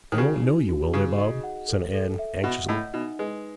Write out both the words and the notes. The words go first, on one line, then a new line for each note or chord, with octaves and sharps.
'They won't know you, will they, Bob?' said Anne anxiously.
D#3
C#3 F#4
D#4
F#4
C#3 G#4
D#5
F#5
A4
A4
E5
B2 F#5
A2 D#5
B2 D#4
G#3 B4